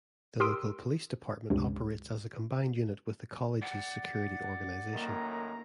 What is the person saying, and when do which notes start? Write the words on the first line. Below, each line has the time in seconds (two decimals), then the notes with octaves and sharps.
The local police department operates as a combined unit with the college's security organization.
0.40 G4 A#4 C6 D#6 E6 D7
1.50 C#2 G2 C3
3.62 D5 F#5
4.93 F#2 A2 D#3 A#3 A#5